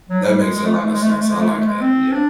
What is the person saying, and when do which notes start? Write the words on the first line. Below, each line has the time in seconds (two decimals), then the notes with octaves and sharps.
That makes a lot of sense, I like that, yeah.
0.09 F#3
0.24 G3
0.40 G#3
0.55 G#3
0.65 A3
0.74 G#3
0.83 A3
0.93 G#3
1.02 A3
1.11 G#3
1.21 A3
1.30 G#3
1.40 A3
1.49 G#3
1.58 A3
1.67 G#3
1.81 C4
2.12 D4